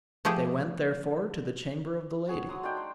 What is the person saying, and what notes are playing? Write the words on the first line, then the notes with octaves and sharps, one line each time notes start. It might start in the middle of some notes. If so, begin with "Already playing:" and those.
They went therefore to the chamber of the lady.
F3 A3 G4 G#4
F#4 G#4 C#5
F#3 C6 D#6
A3 D4 D#4 G5
C5